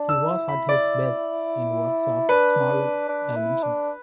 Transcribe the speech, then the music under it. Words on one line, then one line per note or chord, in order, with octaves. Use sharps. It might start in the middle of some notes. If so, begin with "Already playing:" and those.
He was at his best in works of smaller dimensions.
Already playing: D4
E6
E4
B5
D5
D4 B4
D4
E4
D4